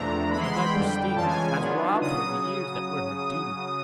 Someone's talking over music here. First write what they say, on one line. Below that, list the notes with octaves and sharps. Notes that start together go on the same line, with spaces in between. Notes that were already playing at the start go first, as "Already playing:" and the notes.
A viper's sting has robbed her of the years that were her due.
Already playing: E2 C3 F3 A3 D4 A#5
E3 G#3 B3 E4 B5
C6
B5
G5
F2 D3 G3
C#3 E3 G#3 C#4 F4 A5
G#5
G#5
D#3 F#3 B3 D4 F4
C#3 F#3 D#6